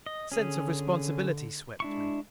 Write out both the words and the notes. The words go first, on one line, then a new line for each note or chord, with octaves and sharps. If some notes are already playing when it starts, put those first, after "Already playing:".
A sense of responsibility swept me.
D#5
D3 C#4 G#4
G#3 D4 E4 C#6